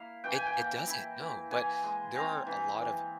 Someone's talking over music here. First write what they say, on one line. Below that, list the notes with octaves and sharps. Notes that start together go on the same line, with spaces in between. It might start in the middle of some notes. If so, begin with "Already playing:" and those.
It it doesn't, no, but there are a lot of
Already playing: A#3 E4 F5
E3 G5
G#5
G5
A#3
E4
E3
E3 G#5
G#3
C4 A#5
E3
E3